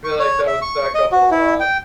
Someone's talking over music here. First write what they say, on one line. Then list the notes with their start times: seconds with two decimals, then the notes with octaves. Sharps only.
Feel like that would stack up a lot.
0.04 C#6
0.19 C#5
0.47 E5
0.62 C#6
0.95 D#5
1.12 F#4
1.31 E4
1.60 G5